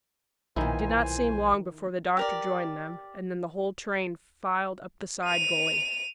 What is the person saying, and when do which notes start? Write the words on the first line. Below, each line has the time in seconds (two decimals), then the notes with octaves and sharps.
It did not seem long before the doctor joined them, and then the whole train filed up the side gully.
0.56 B1 A#2 D#3 E3 D#4 E4 C5 G#5
2.17 G4 A#4 D5
5.24 D#7 F7